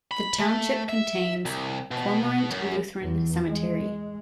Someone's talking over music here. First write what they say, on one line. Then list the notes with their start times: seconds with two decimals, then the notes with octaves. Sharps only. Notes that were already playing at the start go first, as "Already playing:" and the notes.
The township contains Cormorant Lutheran Cemetery.
0.11 B5
0.39 A3
0.89 E5
1.45 C2
1.91 B2
2.51 F#2
3.01 E2
3.47 G#3